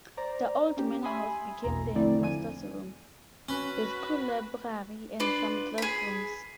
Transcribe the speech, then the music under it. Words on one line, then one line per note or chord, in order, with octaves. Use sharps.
The old Manor House became the headmaster's room, the school library and some classrooms.
C5 D5 A#5
C#4 G4
E5 G#5 B5 C6 D#6
A#1 E2 B2 A#5
D3 F3 A3 C4 E4 D5
D3 F3 G#5 D#7
C#4 F#4 B4
D4 F4 B4
G#4 B5